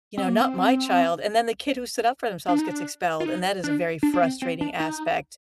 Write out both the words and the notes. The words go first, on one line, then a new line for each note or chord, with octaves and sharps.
you know, not my child, and then the kid who stood up for themselves gets expelled, and that is a very frustrating aspect.
C4
A#3
C4
D4
D#4
D4
F4
D#4
D4
D4
D4
C4
C4
D4
D#4